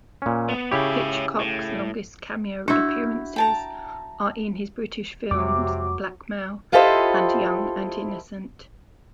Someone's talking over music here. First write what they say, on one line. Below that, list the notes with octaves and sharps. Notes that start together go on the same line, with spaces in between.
Hitchcock's longest cameo appearances are in his British films "Blackmail" and "Young and Innocent".
A#2 C#4
B3
C#3 E4 G4 C#5 E5
A2
D4 E4 F#4 G6
G5 A5 A#5
F2 C3 F#3 G#3 D6
E4 F4 G4 A4 C5 D#5